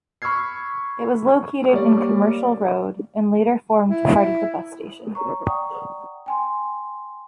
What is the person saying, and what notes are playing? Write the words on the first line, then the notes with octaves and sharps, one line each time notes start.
It was located in Commercial Road and later formed part of the bus station.
B5 C#6 E6 F6 G#6 C7
G3 A#3 C#5 D5
E4
C#5 A#5 C#6
D5 F#5 G5 A#5 C#6 D#6
G5 G#5 C6